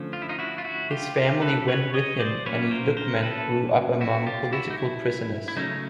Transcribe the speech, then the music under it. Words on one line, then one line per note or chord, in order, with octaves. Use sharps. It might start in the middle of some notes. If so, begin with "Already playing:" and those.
His family went with him, and Lukman grew up among political prisoners.
Already playing: D3 F3 A3 C#4
F4
E4
D#4 F4
E4 F#4
F4
E4 F#4
F4 G4
F4 G4
A4 B4
B4 C#5
C#5 D#5
C5 D5
F#3 A#3 C#4 B4 C#5
A#4 C5
A#4 C5
A4 B4
E4 F#4
F4 G4
E4 F#4
D#4
E4
E4
C#3 F#3 A3 C#4 D#4